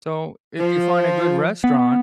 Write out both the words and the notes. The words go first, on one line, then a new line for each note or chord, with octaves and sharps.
So, if you find a good restaurant,
F3
B3